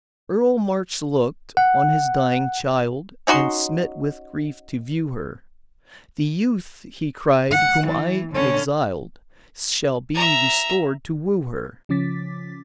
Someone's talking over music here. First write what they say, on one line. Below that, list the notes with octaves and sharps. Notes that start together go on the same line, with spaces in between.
Earl March look'd on his dying child, And smit with grief to view her-- The youth, he cried, whom I exiled Shall be restored to woo her.
F#5
C#4 D#4 F#4 C6
F#5
E3
D3 C#4
E5 A#5
C#3 F3 C#4 D6 A6 B6